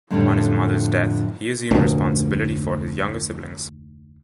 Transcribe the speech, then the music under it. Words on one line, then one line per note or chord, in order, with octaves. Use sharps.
On his mother's death, he assumed responsibility for his younger siblings.
F2 A2 D3 F3 G3 D4
F1 D2 A#2 C#3